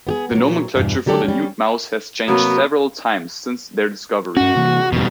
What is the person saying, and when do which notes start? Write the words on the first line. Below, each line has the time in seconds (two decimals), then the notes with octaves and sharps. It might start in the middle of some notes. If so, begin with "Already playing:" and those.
The nomenclature for the nude mouse has changed several times since their discovery.
0.07 B3 G4 G#4
0.31 A#2 F#3
0.75 E2 G2 B2
1.06 D3 F#3 G4 A4 D5
1.24 G3 C#4
2.28 C3 F#3 A#3 B3 F#4
4.37 G2 C#4 F#4
4.56 C3 E3 A#3
4.92 G#1 E2 B2 G3